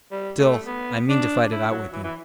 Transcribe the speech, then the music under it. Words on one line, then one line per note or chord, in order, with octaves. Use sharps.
Still I mean to fight it out with you.
G3
A3
B3
D4
E4
F#3
E3
E3